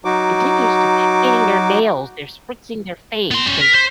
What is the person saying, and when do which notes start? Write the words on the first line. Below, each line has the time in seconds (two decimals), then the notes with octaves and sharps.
it didn't used to painting their nails, they're spritzing their face, they
0.05 F#3 D#4 F#4 D6
3.31 B3 C6
3.46 G3 C#4
3.61 A#4 B6
3.75 C5